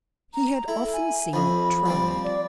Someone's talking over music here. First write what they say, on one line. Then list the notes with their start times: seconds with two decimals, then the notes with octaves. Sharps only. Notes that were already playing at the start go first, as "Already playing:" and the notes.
He had often seen it tried.
0.34 A#5
0.68 E4 A4
0.93 G#5
1.33 F2 F3 B5
1.86 F3 G3 C4
2.24 D5